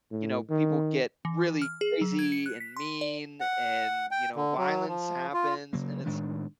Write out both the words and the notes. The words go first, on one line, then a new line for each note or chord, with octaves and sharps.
you know, people get really crazy and mean and, you know, violence happens, and it's
A2
D#3
E3
F6
G#4
F#3
G#6
C#7
F#6
B6
C6
D5
F#5
G5
D3
F#3
F3
F4
C#3 F#3 A#3
A2 D#3 G#3 D4